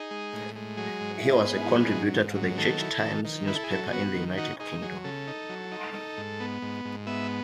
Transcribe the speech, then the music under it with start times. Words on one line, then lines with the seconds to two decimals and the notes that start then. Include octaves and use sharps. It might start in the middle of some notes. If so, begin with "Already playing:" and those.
He was a contributor to the 'Church Times' newspaper in the United Kingdom.
Already playing: D#4 G#4
0.11 G#3
0.33 A2
0.56 G#3
0.77 F#3 G#4
1.01 G#2
1.22 G#2
1.45 B3
1.68 F#3
1.91 G#2
2.13 G#2
2.35 F#3
2.57 D#3 A4
2.80 E4
3.03 D#3
3.25 D#3
3.47 E4 B4
3.55 A4
3.64 G#4
3.71 F#3 A4
3.87 G#4
3.92 B3 F#4
4.14 D#3
4.37 D#4 F#4
4.60 D#4 G#4
4.82 F#3 G#4
5.04 C#3 A4
5.27 D#4
5.49 F#3
5.72 D#4
5.94 D#4
6.17 G#2
6.40 B3
6.62 G#2
6.85 G#2
7.07 B3 E5